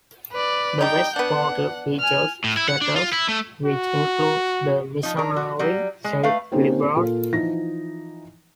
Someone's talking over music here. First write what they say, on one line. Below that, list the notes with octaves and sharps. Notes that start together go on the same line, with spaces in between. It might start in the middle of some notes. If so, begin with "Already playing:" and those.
The west portal features statues which include the missionary Saint Willibrord.
B4 D5
G3 D#4 G5 G6
B3 D4 F#5
G#5 F6
A2
E4
F#5
D4
F4
E4
A3
F#4
F3 D#4
D4 A#4
F#4
F#3 G3
G#3
A3 B4 F5
A#3 C4 C#4 D#4 G4 C5
A#2 A#3 F4 A4
E3 F3 D#4 A#6